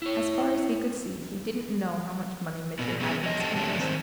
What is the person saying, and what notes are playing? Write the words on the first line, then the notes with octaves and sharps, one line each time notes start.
As far as he could see he "didn't know" how much money Mitya had in his hands.
E4 C#5
A#2 B3
F#3 A3 B3 C#4 G#4 B4
F#3 D#5
G2 G4 A4 D#5 G5 A5
D3 G3 A3 D4 G4 C#5
D#3 C4 C5